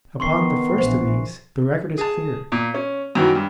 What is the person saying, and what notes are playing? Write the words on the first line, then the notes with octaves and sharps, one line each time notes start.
Upon the first of these, the record is clear.
D#3 B3 C6 C#6 C7
A#1 E3 C5
G#4 A5
A#2
C#4
F#2 D#3 E3 F#3
G2